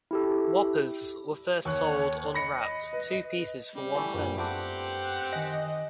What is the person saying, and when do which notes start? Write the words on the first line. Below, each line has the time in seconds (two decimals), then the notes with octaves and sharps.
Whoppers were first sold unwrapped, two pieces for one cent.
0.11 E4 G4 A4
1.65 D#2 C#5 C#6 F#6
2.34 D#5 B5 A#6 C#7
2.93 B4
3.75 G3 C#4
3.95 E3 A3 E4 F#5 C#6
4.14 A#1 F#2
4.37 A3 B3 C4 D4 G4 F#5
5.33 D#3 D#5 G#5